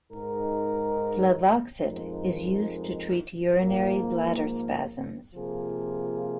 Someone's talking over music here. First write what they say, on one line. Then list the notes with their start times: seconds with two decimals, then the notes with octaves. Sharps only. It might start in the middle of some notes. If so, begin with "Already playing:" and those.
Flavoxate is used to treat urinary bladder spasms.
0.11 G#2 G#3 D#4 A#4
1.85 F2 F3 G#3 D#4 A#4
3.59 G#2 F3 A#3
5.34 C3 F3 A#3 F4 G#4